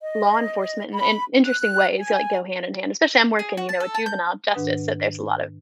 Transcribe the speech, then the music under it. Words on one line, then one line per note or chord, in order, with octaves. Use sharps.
law enforcement in in interesting ways, like, go hand in hand, especially I'm working, you know, a juvenile justice, so there's a lot of,
D#5
B5
F#6
G#5
G#4
F#4
A5
A4
A5
G6
G#2 D#3 D4 B4 F#5 D#6